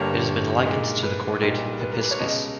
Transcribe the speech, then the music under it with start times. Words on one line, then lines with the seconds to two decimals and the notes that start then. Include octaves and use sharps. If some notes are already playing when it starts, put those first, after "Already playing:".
It has been likened to the chordate "Pipiscus".
Already playing: G1 G2 G3 A#3 C#5
0.64 B1 A#2 G#3
1.03 B4
1.42 B1 A#2 G3
1.80 B4
1.91 A#4
2.01 B4
2.11 C#5
2.20 C#2 B2 G#3 D#5